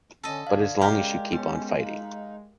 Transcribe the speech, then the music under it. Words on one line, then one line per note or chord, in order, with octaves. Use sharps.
But as long as you keep on fighting.
D3 C#4 A4 D#5
D3 D4 D5 F5
C#3 G#3 G4 A#4
B3 C#4 G5
D#4 F5